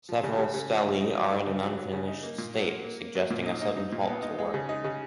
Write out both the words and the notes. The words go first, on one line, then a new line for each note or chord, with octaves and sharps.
Several stelae are in an unfinished state, suggesting a sudden halt to work.
F3
C#3
C#3
C#3
F3
C#3
D#4
F#3
D#4
C#3
F#3
F#3
C#3
D#4
A#3
A#2
F#3
A#3
A#3
A#3
F#3
A#2
D#4
D#4
D#4
A#2
B3
D#4
G#3
C#3
D#4
C#3